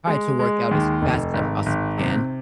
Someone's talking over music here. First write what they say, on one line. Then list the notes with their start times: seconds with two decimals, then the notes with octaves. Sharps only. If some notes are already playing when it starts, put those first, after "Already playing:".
try to work out as fast as I possibly can,
0.07 G#3
0.39 G#3
0.71 D#2
1.02 F1
1.34 G#1
1.66 G#1
1.98 C3